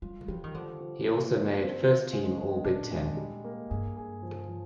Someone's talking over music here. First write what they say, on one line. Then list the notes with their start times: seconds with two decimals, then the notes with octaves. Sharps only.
He also made First Team All Big Ten.
0.02 G3 F4
0.28 F3 G3
0.44 D#3
0.54 D3 F3
0.81 F3
1.07 A#3
1.33 F3
1.60 C4
1.86 F4
2.13 G#3
2.38 G#4
2.64 A#2 D4
2.91 G#3
3.17 G3
3.45 A#3
3.70 G2 G#4
3.97 G#4
4.23 F3
4.49 F3